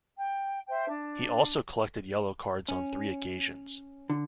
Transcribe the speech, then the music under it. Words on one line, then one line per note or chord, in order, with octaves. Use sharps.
He also collected yellow cards on three occasions.
G5
C5 E5 G5
D4 A5
C#4
D3